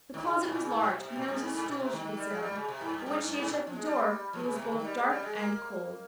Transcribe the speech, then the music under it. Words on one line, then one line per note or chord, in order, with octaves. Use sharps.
The closet was large, and there was a stool she could sit on; but when she had shut the door, it was both dark and cold.
D#3
C#3
C3
G#2
A#2
C#3
G#2
A#2
C3
C3
A#2
G2
G#2
G#2
A#2
C3
D#3
D#3
G3
G#3
G3
C#3
C3
G#2
G2
G2
G#2
G2
G#2
A#2
F3
G#3
G3
F3
C#3
C3
C#3
D#3
G3
G#3
G3
G#3
A#3